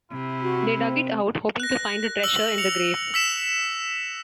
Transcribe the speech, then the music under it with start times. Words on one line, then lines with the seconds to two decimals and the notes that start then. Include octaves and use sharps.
They dug it out, hoping to find a treasure in the grave.
0.11 C3 E4
0.42 F#4
0.77 C4
1.60 F#6 A#6
2.23 E6 F#7
2.58 C#7 F7
3.14 E6 B6 E7